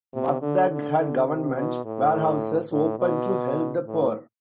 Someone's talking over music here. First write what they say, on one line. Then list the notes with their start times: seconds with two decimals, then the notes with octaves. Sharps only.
Mazdak had government warehouses opened to help the poor.
0.13 C3
0.42 D3
0.70 D3
0.99 D3
1.28 C3
1.56 B2
1.85 A2
2.71 A2
2.99 B2
3.86 A2